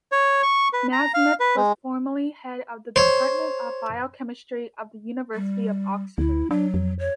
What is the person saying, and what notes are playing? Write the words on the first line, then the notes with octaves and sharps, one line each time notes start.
Nasmyth was formerly head of the Department of Biochemistry of the University of Oxford.
C#5
C#6
B4
A#5
F5
B4
G#3
C5 C#5
G3
D2 E4
F#3 D4
F2
C#5